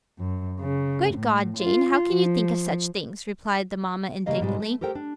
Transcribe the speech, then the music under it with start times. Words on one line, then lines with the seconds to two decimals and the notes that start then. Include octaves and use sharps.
'Good God, Jane, how can you think of such things?' replied the mamma indignantly.
0.19 F#2
0.60 C#3
1.15 A2
1.58 F4
2.09 F3
4.26 C#3 E3 G3 A#3 D#5 F5
4.41 G#2 B2 G3 G#3
4.60 A3
4.81 G4 A4 A#4 C5 G5
4.95 D4